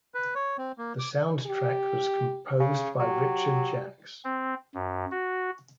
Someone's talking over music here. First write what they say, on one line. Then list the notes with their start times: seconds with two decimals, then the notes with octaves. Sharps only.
The soundtrack was composed by Richard Jacques.
0.14 B4
0.35 C#5
0.58 C4
0.78 A#3
0.99 D6
1.47 G4
2.60 C#3
3.00 F#3 G4
4.25 C4
4.74 F#2
5.11 F#4